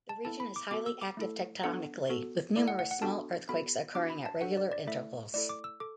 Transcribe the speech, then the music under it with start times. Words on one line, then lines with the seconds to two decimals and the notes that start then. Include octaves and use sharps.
The region is highly active tectonically, with numerous small earthquakes occurring at regular intervals.
0.09 A5
0.25 B3 E4 A4 A5
0.40 B5
0.56 D6
0.71 B3 F#4 A4 D6
0.86 E6
1.01 D6
1.17 A3 E4 A4
1.64 B3 D4 A4 F#5
2.10 B3 F#4 A4
2.56 A3 E4 A4 D5
2.68 F#5
2.79 F#5
2.91 F#5
3.02 B3 D4 F#4 A4 A5
3.49 B3 F#4 A4 B5
3.95 B3 D4 F#4 D6
4.10 B5
4.26 A5
4.41 D4 F#4 A4 F#5
4.57 D5
4.71 D5
4.87 A3 E4 A4 E5
5.33 A3 E4 A4 D5
5.49 D6
5.64 E6
5.80 A4 D6